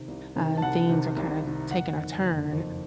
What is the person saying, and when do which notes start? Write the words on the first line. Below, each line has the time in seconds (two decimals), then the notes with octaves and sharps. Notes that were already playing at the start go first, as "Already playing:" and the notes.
uh, things are kinda taking a turn.
Already playing: C3 D#3
0.08 C2
0.36 C3 D#3
0.57 A5
0.62 C2 F#5
0.89 C3 D#3
1.17 C2
1.44 C3 D#3
1.71 F#1 F#5
1.98 F2 D#3
2.25 F#1
2.52 F2 D#3